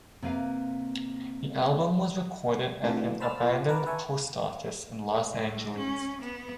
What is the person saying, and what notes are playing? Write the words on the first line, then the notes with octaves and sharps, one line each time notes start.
The album was recorded at an abandoned post office in Los Angeles.
C3 A#3 B4 F5
A2 C3 D4 F4 A4
E3 A3 F#4
C5 A5 B5 E6 F6 A6
A#2 F4
A#4 B4 F#5 A5 A#5 D6
B4 E5 G#5 A5 C#6
A2
C#4
B3